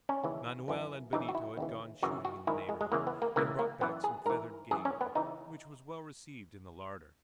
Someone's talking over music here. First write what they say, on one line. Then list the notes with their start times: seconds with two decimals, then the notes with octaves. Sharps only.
Manoel and Benito had gone shooting in the neighborhood, and brought back some feathered game, which was well received in the larder.
0.09 C#4
0.24 D#2 C#3 E3
0.68 F#2 E3
1.13 F#2 C#3 E3 D#4
1.29 F#4
1.35 E4
1.57 D#2 C#3 E3
2.02 F#2 C#3 E3 F#4
2.25 F#4
2.47 G#2 D#3 E4
2.69 G#3
2.81 G#3
2.92 E2 C#3 E3 A#3
3.07 B3
3.22 A#3
3.36 C#2 C#3 E3 A#3
3.59 A#3
3.81 F#2 E3 B3
4.04 G#4
4.26 G#2 E3 A#4
4.71 F#2 E3 G#4
4.85 C#4
5.01 B3
5.15 C#3 E3 D#4